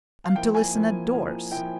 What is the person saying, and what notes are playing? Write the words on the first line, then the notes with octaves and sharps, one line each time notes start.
"And to listen at doors!"
F5
F3 A#3 E4 G5
G#5
F3 A#3 E4
F3 A#3 E4
F3 A#3 E4 G5